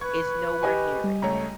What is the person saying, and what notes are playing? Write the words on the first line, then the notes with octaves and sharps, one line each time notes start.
is nowhere near it.
B4 C#6 G#6
G4 D#5 G#5
G3
C#2 A3 C#5 A#5